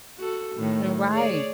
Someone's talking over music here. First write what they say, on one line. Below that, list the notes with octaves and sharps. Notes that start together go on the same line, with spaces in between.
You're right.
F#4 A4
A2 D#3
G#4 C#5 D5